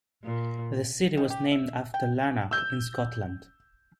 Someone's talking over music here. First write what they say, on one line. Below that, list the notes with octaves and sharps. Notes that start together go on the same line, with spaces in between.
The city was named after Lanark, in Scotland.
A#2
D#3
G4
E5
G5
E6 G6